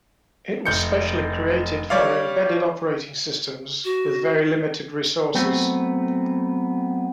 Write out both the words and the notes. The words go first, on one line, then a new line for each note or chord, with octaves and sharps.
It was specifically created for embedded operating systems with very limited resources.
F1 G6 C#7
G3 C#5 D5 F5
F#4
F#3 A3 B3 C4